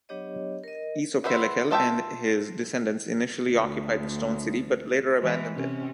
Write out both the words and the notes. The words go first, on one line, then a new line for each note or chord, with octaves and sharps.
Isokelekel and his descendants initially occupied the stone city, but later abandoned it.
F#3 B3 D4 G4 C#5 D#5
A#4 D#5
B3 B4 C5 E5
F4 A4 E5 F#5 G5
D2
E3 G#3
C3 C#4